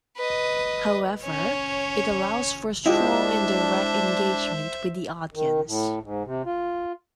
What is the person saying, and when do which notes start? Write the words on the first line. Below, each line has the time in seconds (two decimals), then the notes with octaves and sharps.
However, it allows for strong and direct engagement with the audience.
0.17 B4 D#5
1.23 C#4 C#5
2.86 G#3 D4 E4 F4 G4 C5 D#5 E5
5.34 D#3
5.67 A2
6.03 G#2
6.24 C3
6.45 F4